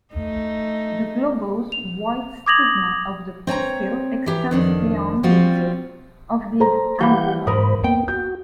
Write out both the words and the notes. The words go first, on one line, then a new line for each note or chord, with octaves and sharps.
The globose white stigma of the pistil extends beyond the tip of the anther.
A3 D#4
F7
D6 D#6 G#6 A#6 F7 F#7
C4 C#5 G#5 A#5
E3 G4 A#5
F2 D#3 D4
F3 G3 C4 F4 F#4
A4 C5 A#5
E3 G3 G4 F5 F#5 B5 G6
B1 E2 G#2 A#4 C5 B5 D#6
A#3 B3 G5
F#4 G6